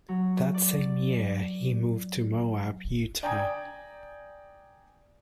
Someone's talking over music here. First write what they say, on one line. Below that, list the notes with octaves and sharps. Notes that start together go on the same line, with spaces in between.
That same year he moved to Moab, Utah.
F#3
D5
D5 G5 G#5 A#5 D#6 G#6